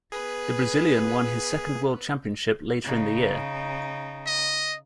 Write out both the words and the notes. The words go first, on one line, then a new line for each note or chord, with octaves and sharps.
The Brazilian won his second World Championship later in the year.
B3 G#4 B4
C#3 D#4
D#5